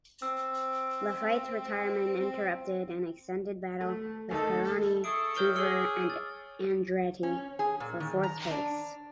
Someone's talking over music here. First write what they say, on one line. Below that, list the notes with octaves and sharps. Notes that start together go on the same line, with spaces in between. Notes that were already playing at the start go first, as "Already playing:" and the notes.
Laffite's retirement interrupted an extended battle with Pironi, Cheever and Andretti for fourth place.
C4 E6
C4
A3
D#2 A3 D#4 A4
E4 G#4 A4 C#6 D#6 D7
E3 F#3 G3 C#5 E6 F6 G6 G7
G#4 D6 E6 C#7 G7
A6
C#4
G#4
A#2
D#3
A#5
D4